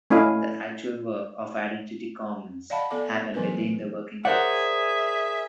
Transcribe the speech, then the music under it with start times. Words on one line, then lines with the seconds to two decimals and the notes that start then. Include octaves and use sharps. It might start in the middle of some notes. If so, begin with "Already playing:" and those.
The actual work of Identity Commons happens within the Working Groups.
0.10 A3 C#4 E4 D#5 F5
2.70 D5 D#5 F5 F#5 A5 B5
2.91 B3 A4 D5 D6
3.34 E3 F#3 B3 C#4 A#4 B4
4.25 G#4 A#4 C5 D5 E5 F#5